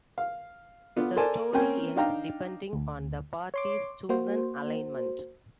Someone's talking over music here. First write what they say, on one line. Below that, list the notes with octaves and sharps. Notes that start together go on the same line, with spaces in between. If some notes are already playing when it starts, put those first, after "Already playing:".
The story ends depending on the party's chosen alignment.
F5
D3 B3 D4 F4
A4 A#4 C5 D5 G#5 A5
A#3 C4 C#4 A#4 G5 G#5
D4 D#4 F5 G5 A#5
D2
C#5 C6 D6
A#3 F#4 C5